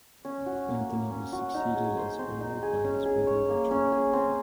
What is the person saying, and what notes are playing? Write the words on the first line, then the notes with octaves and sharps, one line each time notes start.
Anthony was succeeded as earl by his brother, Richard.
C#4
F#4
A#3
A#3
C#4
F#4
D#4
G#4
C5
C4
D#4
G#4
C#4
G#4
C#5
A#3
C#4
G#4
C4